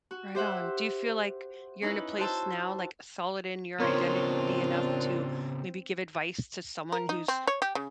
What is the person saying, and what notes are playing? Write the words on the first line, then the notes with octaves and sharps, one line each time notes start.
Right on. Do you feel like you're in a place now, like, solid in your identity enough to maybe give advice to someone who's
F#4
G4 C5 E5 F#5
C#4 D#4 E4 B4
F#4 C5 A5 E6
C#3 B3 C4 D4 F4 A#4 C#5 C6
A#4
D#4
C4
C#5
G4
C#3